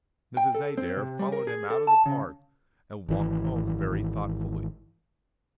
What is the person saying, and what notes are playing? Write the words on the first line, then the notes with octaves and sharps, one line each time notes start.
Mrs. Adair followed him out of the park, and walked home very thoughtfully.
G5
A4
C4
C3
G3
A#4
G#4
A4
A5
C#3
G#1 E3